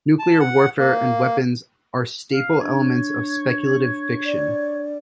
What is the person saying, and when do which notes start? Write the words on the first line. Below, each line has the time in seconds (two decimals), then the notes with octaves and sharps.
Nuclear warfare and weapons are staple elements of speculative fiction.
0.19 A5
0.40 F#5
0.79 A#3
2.33 F5
2.61 D4 C#5
4.26 D5